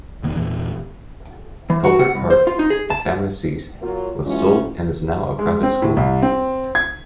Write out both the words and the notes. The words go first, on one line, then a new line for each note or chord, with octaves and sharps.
Culford Park, the family seat, was sold and is now a private school.
E1 D#3 A#3
E2 A#2 E3
E3
F#4
F#5
C2
C5
F4
D#4
G#4
A5
F#3 A#3 F4
E3 F#3 G#3 C#4 F4
G#3
C4
A2
C2
C4
G#6